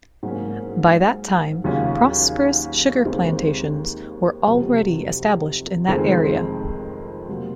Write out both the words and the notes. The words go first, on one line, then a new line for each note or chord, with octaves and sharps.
By that time, prosperous sugar plantations were already established in that area.
G#2 F#3 A#3 C#4
D#2 C#3 F#3 C#4 F4
D#2 D#3 G#3 C4 D#4
F2 C3 F#3
F1 F2 D#3 G#3 C4
C3 F#3 A#3